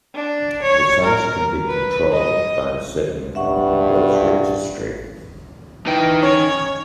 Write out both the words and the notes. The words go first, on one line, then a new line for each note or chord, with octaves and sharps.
The size can be controlled by a setting on Windows Registry.
D4
C#5
A#4
B4
D#5
G2 E5 F#5 C#6
E3 D#4 G5
C#4 C#5